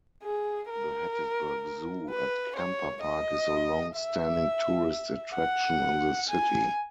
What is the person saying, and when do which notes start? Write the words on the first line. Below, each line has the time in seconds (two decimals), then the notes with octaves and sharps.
The Hattiesburg Zoo at Kamper Park is a longstanding tourist attraction in the city.
0.23 G#4
0.69 A#4
2.09 B4
2.57 C#5
3.03 D#5
3.96 E5
5.36 F#5
6.29 G#5